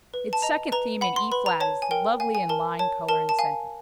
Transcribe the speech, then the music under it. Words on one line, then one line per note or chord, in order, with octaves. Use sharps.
Its second theme in E flat is lovely in line, color and sentiment.
B4
A5
D#5 A#5
B4 A#5
F#5 B5
C6
B4 B5
A#5
C#5 A5
G#5
A#4 G5
F5 G#5
G#5
A#4 A5
C#5 A5
A#4 A5
A5
F5 G#5